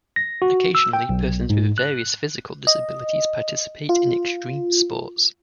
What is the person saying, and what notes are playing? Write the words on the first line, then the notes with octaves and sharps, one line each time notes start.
Occasionally persons with various physical disabilities participate in extreme sports.
A#6
F#4
E6
G5
B1
G#2
F#6
D#5
F4